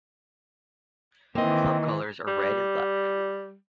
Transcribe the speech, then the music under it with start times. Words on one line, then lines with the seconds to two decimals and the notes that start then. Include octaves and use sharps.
Club colours are red and black.
1.35 D#3 E3 A#3 C4 D#5
2.28 G3